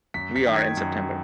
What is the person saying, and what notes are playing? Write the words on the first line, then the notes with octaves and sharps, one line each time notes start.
We are in September.
F#2 B6
B6
D#3
G#6
F#2